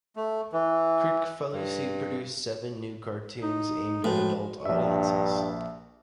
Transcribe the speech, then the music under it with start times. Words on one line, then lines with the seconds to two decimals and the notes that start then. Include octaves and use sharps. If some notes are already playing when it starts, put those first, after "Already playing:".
Kricfalusi produced seven new cartoons aimed at adult audiences.
0.16 A3
0.53 E3
1.53 G2
3.42 D#4
4.04 A2 F3 G#3 F#4
4.65 A#1 G2 E5